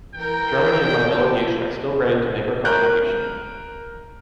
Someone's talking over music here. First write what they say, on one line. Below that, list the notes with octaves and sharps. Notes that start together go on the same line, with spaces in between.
Germany and my delegation are still ready to make our contribution.
E3 A#4 G5
A5
A#4 F#6 G6